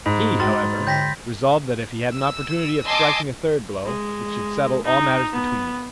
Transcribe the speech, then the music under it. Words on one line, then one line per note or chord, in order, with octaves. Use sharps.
He, however, resolved that if he had an opportunity of striking a third blow, it should settle all matters between them.
G#2 B5
G#3 F#4 C6 A6
D3 G5 G6 A#6 B6
E6
D#5 G#5 A5 C6 D6 E6
G#3
D#4
B3